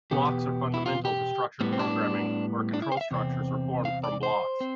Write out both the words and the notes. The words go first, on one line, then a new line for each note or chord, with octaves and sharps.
Blocks are fundamental to structured programming, where control structures are formed from blocks.
E2 B2 B3 G4
E4
F4
G4
A2 G3 B3 C4
C4
D4
D4
E4
C5
F5
E5
E2 C3 C4
F5
D5
C5
C4